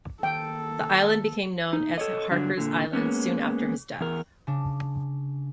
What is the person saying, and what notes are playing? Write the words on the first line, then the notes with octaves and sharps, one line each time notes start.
The island became known as Harkers Island soon after his death.
D#3 A#3 A4 G5
D#4
A4 C#5 D#5
G2 D3 F#3 D4
A#2 D3
G#3 A#3 B3 C#4
E2 A#4
C#3 D4